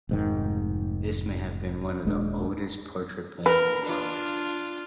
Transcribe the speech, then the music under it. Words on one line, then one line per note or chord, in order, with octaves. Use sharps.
This may have been one of the oldest portrait paintings in Norway.
F1 G#2 D#3
D#1 G#3 A3 D4
A#4 B4
D4 F4